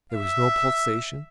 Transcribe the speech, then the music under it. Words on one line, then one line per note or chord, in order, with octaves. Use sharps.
There was no pulsation.
E5